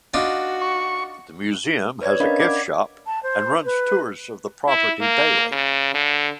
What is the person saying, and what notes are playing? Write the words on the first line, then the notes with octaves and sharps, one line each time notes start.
The museum has a gift shop and runs tours of the property daily.
D4 D#4 F4 F#4
C#6
B4 C#5 D5 G#6
C#4 D4 A#4 D#5 F5 B5
D5 F#5 D6 G#6
A5
C5
B4
E4
A#3
C#3
D3